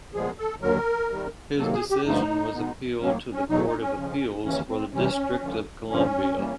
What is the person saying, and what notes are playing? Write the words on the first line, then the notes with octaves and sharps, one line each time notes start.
His decision was appealed to the Court of Appeals for the District of Columbia.
A#2 F3 G#3 B3 G#4
A4
D#2 D3 F#3 A#4
C3 D#3 G3
C3 D#3 F#3 A#3 A4
G#4
G4
G2 D3 F3 A3 D#4
B2 G#3 B3
A2 F#3 A#3 C#4
C#4
E2 B2 F#3 D#4
D#4
C#4
F2 C#3 F3
D#2 C#3 E3 C#4
C4
C3 E3 G3 C#4
G2 D3 F3 A3
G2 D3 F3 C#4
E3 G3 A#3